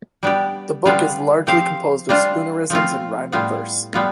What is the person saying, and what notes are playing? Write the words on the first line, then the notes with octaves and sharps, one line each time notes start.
The book is largely composed of spoonerisms in rhyming verse.
G3 B3 D4 G4
D3 G3 B3 D4 F4
F3 C4 G4 C5 F5
G3 D4 F4 C5
F3 A3 C4 F4
A2 G3 B3 F4
G3 B3 F4